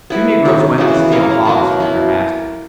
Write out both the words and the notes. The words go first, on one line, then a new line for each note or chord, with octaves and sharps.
Two negroes went to steal hogs from their masters.
B3 E4 B4
D#3 F#3 C#4
C#3 E3 B3 F#4
A#3 E4 A#4 C#5
B2 F#3 A#3
B2 A#3 E4